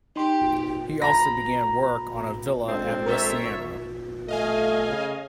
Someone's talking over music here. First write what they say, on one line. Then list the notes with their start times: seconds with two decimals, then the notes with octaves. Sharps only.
He also began work on a villa at Rusciano.
0.16 D#4 G4 C6
1.02 A#5 B5 A#6
2.68 G#3 C4 D4 A4
3.06 A#4 C#5 E5 A6
4.28 A3 D#5 F5 G#5
4.89 C#3